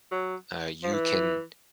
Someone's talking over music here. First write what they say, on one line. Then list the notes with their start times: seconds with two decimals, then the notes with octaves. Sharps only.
uh, you can,
0.11 F#3
0.84 F3
0.93 E3